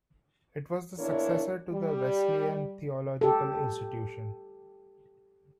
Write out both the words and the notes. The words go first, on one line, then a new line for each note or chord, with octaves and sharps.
It was the successor to the Wesleyan Theological Institution.
E2 A#2 D4 E4 A#4 C#5
G3
G4 A4